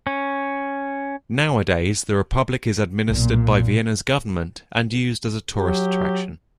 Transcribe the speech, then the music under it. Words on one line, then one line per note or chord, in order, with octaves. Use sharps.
Nowadays, the Republic is administred by Vienna's government and used as a tourist attraction.
C#4
B1 A#2
F#3 G4